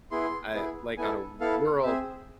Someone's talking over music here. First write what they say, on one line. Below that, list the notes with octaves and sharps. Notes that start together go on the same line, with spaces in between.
Uh, like, on a w world
B3 E4 G#4 C6
B3 E4 G#4
B3 E4 A4 G#5
B3 E4 A4 F5
C4 G#4 E5